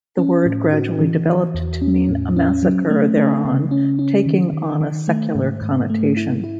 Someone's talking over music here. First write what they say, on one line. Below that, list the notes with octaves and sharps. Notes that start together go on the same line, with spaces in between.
The word gradually developed to mean a massacre thereon, taking on a secular connotation.
C#4
A2
F#4
E3
E3
E2
C#4
A2
C#4
F#3
A3
A3
C#3
C#4
C#4
D#3
D#3
D#3
A3
G#2
G#2
A3
E4
E4